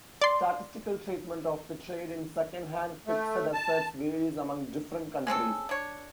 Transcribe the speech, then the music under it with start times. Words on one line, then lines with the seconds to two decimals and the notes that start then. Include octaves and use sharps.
Statistical treatment of the trade in second-hand fixed assets varies among different countries.
0.22 D5 C6
3.06 A3
3.53 A5
5.27 G#3 C4 C#4 A4
5.69 D4 C#5